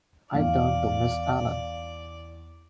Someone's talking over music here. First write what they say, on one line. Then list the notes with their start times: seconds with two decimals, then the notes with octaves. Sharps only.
I turned to Miss Allen.
0.34 E2 D5 F5